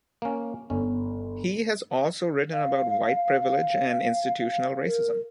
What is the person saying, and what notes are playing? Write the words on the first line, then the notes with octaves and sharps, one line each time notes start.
He also has written about white privilege and institutional racism.
A#3 C#4
G1 C#4
F5
A#4